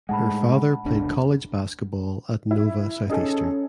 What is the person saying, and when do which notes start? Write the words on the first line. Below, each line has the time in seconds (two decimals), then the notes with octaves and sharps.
Her father played college basketball at Nova Southeastern.
0.09 A2 G#3 F#5 A5 B5
0.85 F1 C#2 D4
2.51 E4
3.10 C#4 D#4 G#4 A4